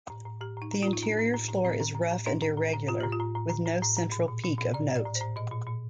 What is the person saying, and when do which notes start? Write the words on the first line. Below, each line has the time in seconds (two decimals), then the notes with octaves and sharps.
The interior floor is rough and irregular, with no central peak of note.
0.10 A2
0.25 A2
0.41 A2 G4
0.57 A2 D#4
0.72 A2
0.83 A2 F4
0.93 D#4
1.03 A2 D4
1.19 A2
1.34 A2
1.49 A2
1.65 A2 C4
1.80 A2
1.95 A2
2.12 A2
2.26 A2 D4
2.42 A2
2.57 A2
2.74 A2
2.88 A2 F4
3.00 A2 G4
3.12 F4
3.19 A2
3.35 A2
3.50 A2
3.65 A2
3.82 A2
3.97 A2
4.12 A#2
4.28 A#2
4.44 A#2
4.59 A#2
4.74 A2 D5
4.89 A2
4.95 D5
5.06 A2
5.15 C5
5.20 A2
5.36 A#2 D#5
5.52 A#2
5.67 A#2